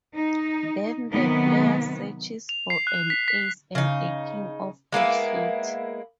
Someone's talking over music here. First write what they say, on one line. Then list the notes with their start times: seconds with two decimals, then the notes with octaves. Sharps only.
Then the player searches for an Ace and a King of each suit.
0.14 D#4
1.11 C3 D#3 F#3 B3
2.49 F7
2.70 C7
2.87 F#6
3.10 B6
3.28 B6
3.75 C#3 D#4
4.92 G#3 A#3 B3 E4